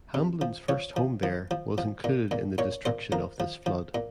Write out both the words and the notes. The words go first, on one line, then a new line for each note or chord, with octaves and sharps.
Hamblin's first home there was included in the destruction of this flood.
C3
F3
F3 C#5
F3
F3
F3
F3
A#2
A#2
A#2 C#5
A#2 C5
F3 A#4
F3
F3
A#2